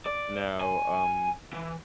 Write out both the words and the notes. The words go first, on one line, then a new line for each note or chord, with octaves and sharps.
Now, um,
D5
G#5
E3